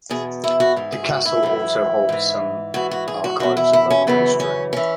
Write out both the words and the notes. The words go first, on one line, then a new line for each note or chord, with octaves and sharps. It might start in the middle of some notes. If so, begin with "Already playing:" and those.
The Castle also holds some archives of local history.
E2 B2 G#4
E4
F#4
G#2 E3
G#4
F#4
E4
F#2 C#3 E3
G#2 E3
G#2 E3 F#4
F#4
G#4
F#4
E2 B2 F#4
E4
E4
C#4
F#2 C#3 E3 B3
C#4
E3 C#4